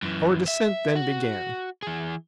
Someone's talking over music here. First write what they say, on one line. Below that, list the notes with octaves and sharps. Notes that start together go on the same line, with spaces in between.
Our descent then began.
F#2 E3
E5
F#4
E3 G#4